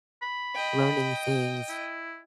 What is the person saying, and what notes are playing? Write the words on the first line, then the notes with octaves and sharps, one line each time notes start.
learning things.
B5
D#5 G5
E4